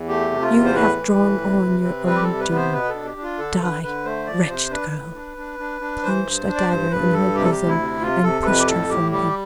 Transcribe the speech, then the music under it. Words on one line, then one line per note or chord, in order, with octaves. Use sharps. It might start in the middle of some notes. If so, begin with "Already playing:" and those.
"You have drawn on your own doom--die, wretched girl!" plunged a dagger in her bosom, and pushed her from him.
Already playing: E2
A3 G4
C3
F4
E2
C5
A2 B4
E3
A2
C3
C3
C4
G3 B4
G4
A4
C3
B4
B3
C5
B2 B4
A4
D4
G4
D4
F4
D3 A4
D3 B4
D3 B4
A3 C5
F3 D5
C3 C5
D4 B4
A2
D4
D4
D4
D4
E3 C5
G2
D4
D5
G2 C5
G2 B4
G3 A4
C3 G4
A4
G4
D2
E4
C3
C3 F4
C3 A4
F2 B4
G4
A2 A4
A2 G4
G3 G4